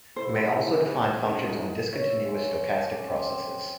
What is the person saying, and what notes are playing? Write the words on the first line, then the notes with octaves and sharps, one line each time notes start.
We may also define functions on discontinuous stochastic processes.
G#2 C3 E4 C5
E2
A1 D#4
C#5 E5 F5
F#3 G#3
F#2 D6
C4